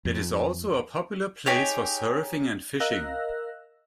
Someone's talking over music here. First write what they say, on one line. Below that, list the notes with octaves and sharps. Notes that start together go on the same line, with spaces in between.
It is also a popular place for surfing and fishing.
F2
D#4 G4 G#4 C#5
A#4 D#5 F5 E6 F#6 A#6